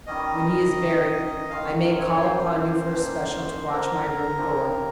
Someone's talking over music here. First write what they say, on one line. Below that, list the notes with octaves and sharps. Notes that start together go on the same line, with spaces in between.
When he is buried, I may call upon you for a special to watch my room door.
D#3 G3 C#4 D#5
D#3 G#3 C#4 F5
C#5
C5
A#2 F3 A#3
A#4
C#3 F3 C4 G4